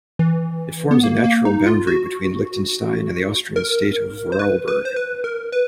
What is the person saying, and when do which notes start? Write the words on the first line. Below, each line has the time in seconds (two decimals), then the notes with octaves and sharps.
It forms a natural boundary between Liechtenstein and the Austrian state of Vorarlberg.
0.19 E3
0.91 B3
1.03 A#3
1.24 A#3
1.45 D#4
1.66 F4
1.87 F#4
3.56 A#4
4.32 C5
4.39 B4
4.68 B4
4.85 C5
4.96 B4
5.24 A#4
5.52 B4